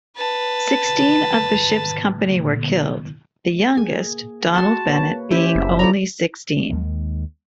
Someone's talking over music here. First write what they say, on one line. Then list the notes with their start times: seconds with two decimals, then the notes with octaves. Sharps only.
Sixteen of the ship's company were killed, the youngest, Donald Bennett, being only sixteen.
0.16 B4 A5
3.77 A#3 G#4 G#5
4.55 F#4 A5 C6
4.87 A#3 B4 C#5
5.31 G3 C#4 E4 G4 C5 E5
5.55 F#1
5.79 F3 A4 C#5 D5 A#5 B5
6.70 D#2 D#3 G#3